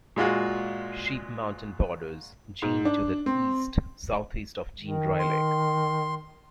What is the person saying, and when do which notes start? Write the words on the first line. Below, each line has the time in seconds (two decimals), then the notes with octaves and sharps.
Sheep Mountain borders Jean to the east, southeast of Jean Dry Lake.
0.16 A#2 G#3 F4 F#4
2.62 G#2
2.85 D4
3.26 C4
4.83 D#3
5.19 C6